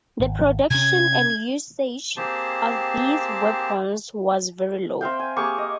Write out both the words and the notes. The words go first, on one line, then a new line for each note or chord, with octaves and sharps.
The production and usage of these weapons was very low.
G#1
C3 C#4 G#6
A#3 C4 G4 G#4 C5 A5
C4 E5 F5 G5
G#5
A#3 G4 G#4 C#6
D#5